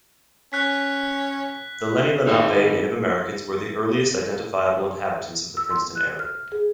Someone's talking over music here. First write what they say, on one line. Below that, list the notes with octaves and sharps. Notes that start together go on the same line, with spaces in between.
The Lenni Lenape Native Americans were the earliest identifiable inhabitants of the Princeton area.
C#4 F#6 B6
D#4 G#4 A#4 D#5
E6
C6
F#6
F6
G#4